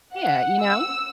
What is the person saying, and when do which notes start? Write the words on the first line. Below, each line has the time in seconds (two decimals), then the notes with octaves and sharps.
Yeah, you know?
0.14 F#5
0.62 E6